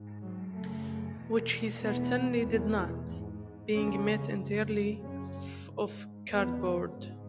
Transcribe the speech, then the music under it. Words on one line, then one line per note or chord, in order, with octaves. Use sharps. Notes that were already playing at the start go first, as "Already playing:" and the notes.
Which he certainly did not, being made entirely of cardboard.
Already playing: G#2
F#3
F#2 C#3 A3
E2 B2
E2 B2 B3
E2 B2
G#2
E2 C#3 C#4
F#2 C#3
F#2 C#3 C#4
G#2
E2 C#3 B3
G#2